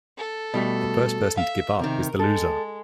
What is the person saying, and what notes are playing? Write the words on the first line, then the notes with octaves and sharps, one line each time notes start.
The first person to give up is the loser.
A4
B2 G3 A3
E5 F5
C3 D#3 A#4
G#3 A4